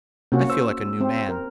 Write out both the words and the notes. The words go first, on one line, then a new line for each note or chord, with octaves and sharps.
"I feel like a new man."
C3 A#3 C#4 F#4
C5 E6
C4
A#4